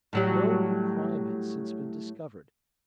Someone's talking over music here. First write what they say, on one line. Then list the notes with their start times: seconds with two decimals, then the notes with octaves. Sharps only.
No new crime had since been discovered.
0.13 A2 F#3 G3